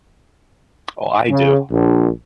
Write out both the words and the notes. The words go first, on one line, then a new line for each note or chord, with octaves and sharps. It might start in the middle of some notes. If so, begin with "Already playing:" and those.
Oh, I do.
C#3
A#1